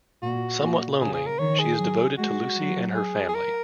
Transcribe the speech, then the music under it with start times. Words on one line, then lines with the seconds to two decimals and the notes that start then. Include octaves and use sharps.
Somewhat lonely, she is devoted to Lucy and her family.
0.23 A#2 F#4
0.62 A#2
1.01 C#3 G#4
1.14 G#4
1.26 A#4
1.39 D#3 C#5
1.59 G#4
1.78 F#3
2.18 G#3 F#4
2.56 F#3
2.95 G#4
3.29 G#4
3.34 A#4